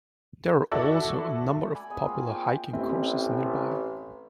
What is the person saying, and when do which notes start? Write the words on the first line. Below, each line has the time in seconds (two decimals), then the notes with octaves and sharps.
There are also a number of popular hiking courses nearby.
0.71 E4 F#4 A4 D5
1.74 G#5 B5 D6
1.90 B3 G#4 D#5 G#5
2.05 A#3 C4 F4
2.18 A#3
2.34 G5
2.73 A1 C4 E4